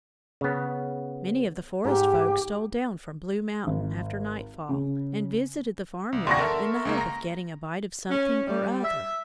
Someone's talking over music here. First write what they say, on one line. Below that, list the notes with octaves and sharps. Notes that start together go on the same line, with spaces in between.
Many of the forest folk stole down from Blue Mountain after nightfall and visited the farmyard in the hope of getting a bite of something or other.
C#3 B3
G#2 G4
G#1
C#3
C2
D#2 D5 F#5 C6 C#6 A#6
A4 A#4 E5
C#2 G#3 A#3
A#5 A#6
C#4
G3
E5